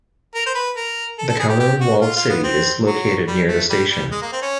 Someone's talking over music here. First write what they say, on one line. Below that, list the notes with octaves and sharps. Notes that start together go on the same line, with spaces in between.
The Kowloon Walled City is located near the station.
A#4
C5
B4
A#4
A4
A4
G#4
G4
G4
F#4
F4
F4
B3
C4
F#3
G3
A3
G3
G3
G#3
A#3
C4
C#4